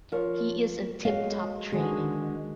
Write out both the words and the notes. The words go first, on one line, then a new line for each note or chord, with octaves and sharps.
He is in tip-top training.
F3 A#4 C#5
G#3 F#4 C#5 F5
D3 D#3 G#3 F#4 G#4